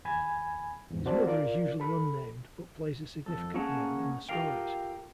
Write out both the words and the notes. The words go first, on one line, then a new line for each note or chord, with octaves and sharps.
His mother is usually unnamed but plays a significant role in the stories.
D#2 G#5 B5 G#6
E2 G#2
C4 F#4 C5 D5 A5
F4 A#4 D5
A4 B5
F2 A4
A#3 C#4 G#4 F#5 A5
F4 G4 A4 A#4 F5 G5